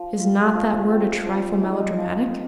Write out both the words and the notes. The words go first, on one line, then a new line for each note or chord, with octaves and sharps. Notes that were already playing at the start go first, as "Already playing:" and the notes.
"Is not that word a trifle melodramatic?"
Already playing: F3
C4 F4
F3
C4 F4
F3
G#3 D#4 G#4
F3